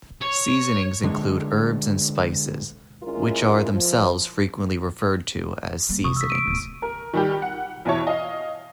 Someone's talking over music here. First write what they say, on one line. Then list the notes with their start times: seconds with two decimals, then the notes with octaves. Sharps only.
Seasonings include herbs and spices, which are themselves frequently referred to as "seasonings".
0.21 C#5
1.04 D3 G#3
3.03 G#3 C#4 E4 F4 A#4
3.73 F3
5.89 G3 A#3
6.04 C3 E3 C#6 D#6
6.17 E6 B6
6.30 D7 D#7
6.47 D1 B3
6.82 A#4
7.13 D#3 G3 G4
7.42 F#5
7.85 E2 B2 E4 C#5 A5
8.07 D#5 F5